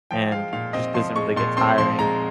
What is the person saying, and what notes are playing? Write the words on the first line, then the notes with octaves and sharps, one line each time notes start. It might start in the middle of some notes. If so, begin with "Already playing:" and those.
and it just doesn't really get tiring.
F3 G5
G#3 F5
A#2 F5
C4 D#5
F3 C6
G#3 C#6
A#2 C6
C4 C6
F3 C6
G#3 A#5